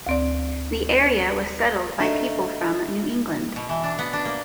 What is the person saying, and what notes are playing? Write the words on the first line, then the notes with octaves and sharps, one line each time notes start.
The area was settled by people from New England.
D2 C4 D5
A3 A#3 D4 D#4
B2
E3
D4
B3
D4
A#3